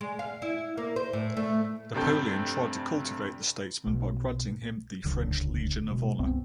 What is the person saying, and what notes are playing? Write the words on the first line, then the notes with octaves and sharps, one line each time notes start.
Napoleon tried to cultivate the statesman by granting him the French Legion of Honor.
G#3
F5
E4
A#3
C5
A2
A3
F1 G2 C3 C4 A4 G6
B1
D#1 C#2 D3 F#3
B2 G#3
C2 F#2 B3 C4